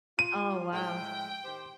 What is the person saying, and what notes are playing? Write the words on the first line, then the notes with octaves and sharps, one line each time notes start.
Oh, wow.
F4 D#7
A2 G#3 G5
D#3 G4 C5